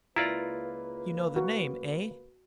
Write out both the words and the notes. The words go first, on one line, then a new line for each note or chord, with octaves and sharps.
"You know the name, eh?"
C#2 A#3 E4 F4 B4 D5 A#5
F#4